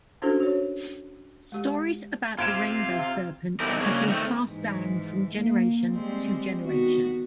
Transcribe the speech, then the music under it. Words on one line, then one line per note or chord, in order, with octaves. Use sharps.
Stories about the Rainbow Serpent have been passed down from generation to generation.
C#4 D4 E4 F#4 A4 C5
F#4 C#5
G#3 G4
C3 F4 F5 G#6 D7 E7
B2 E3 G3 C4 D#4 A#4
C#3 F#3 A#3 C#4 D4 G#4
D#3 A3 C4
G#2 E3
A#3
G3 G#3 C4
D#3 B3 F#4